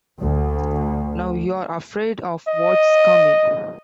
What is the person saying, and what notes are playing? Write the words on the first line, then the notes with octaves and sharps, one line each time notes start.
Now you are afraid of what's coming.
D2
D#5